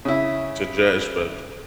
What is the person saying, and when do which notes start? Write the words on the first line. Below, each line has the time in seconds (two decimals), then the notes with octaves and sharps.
To Jazz Fest.
0.05 C#3 E4